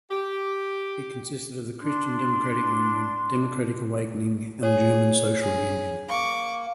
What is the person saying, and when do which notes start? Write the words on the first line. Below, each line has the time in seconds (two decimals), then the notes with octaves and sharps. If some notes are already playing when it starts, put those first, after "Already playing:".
It consisted of the Christian Democratic Union, Democratic Awakening and the German Social Union.
0.11 G4
1.81 D4 C6
4.63 G#4 C#5
5.42 G#4
6.09 A#3 C#6 D6